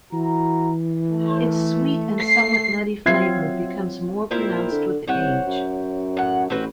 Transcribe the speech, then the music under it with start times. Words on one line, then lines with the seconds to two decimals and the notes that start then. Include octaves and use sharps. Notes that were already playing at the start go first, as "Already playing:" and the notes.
Its sweet and somewhat nutty flavour becomes more pronounced with age.
0.13 E3 E4 F#4 A#5
1.11 A3
2.18 C7
3.06 F#3 C4 F4 E5 G#6 C7
4.31 A#2 C4 E4 A#4
4.71 D3
5.08 C2 C5 C#5 F#5
5.46 F#2
6.17 A2 F#5
6.50 A1 C4 F#4 B4